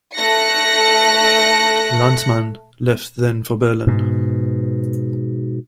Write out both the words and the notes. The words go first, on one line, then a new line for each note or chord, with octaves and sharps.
Landmann left then for Berlin.
A3 F#6 A#6 C#7
G#2 B2